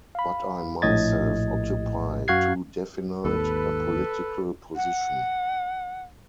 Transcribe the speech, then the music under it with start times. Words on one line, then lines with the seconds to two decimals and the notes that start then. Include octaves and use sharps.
But I myself occupy too definite a political position.
0.15 F5 B5
0.82 A#1 A2 D#5 G#6 A6
2.28 F#2 F#4 F5 F#6 G#6 C7
3.25 G#1 D#2 A4 B4
4.76 F#5